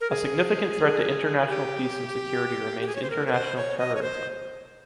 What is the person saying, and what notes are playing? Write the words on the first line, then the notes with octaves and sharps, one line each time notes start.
A significant threat to international peace and security remains international terrorism.
A#4
G#4
G4
G4
G#4
C#5
C5
A#4
C#5
C5
C#5
D#5
C#5
C5